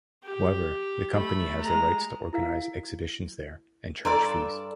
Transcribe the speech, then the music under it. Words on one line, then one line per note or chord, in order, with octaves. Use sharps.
However, the company has the right to organise exhibitions there, and charge fees.
G4
A3 B5
G#3 A#5
E4 A#4 F5
G2 D4 A4 D5 A#5 C6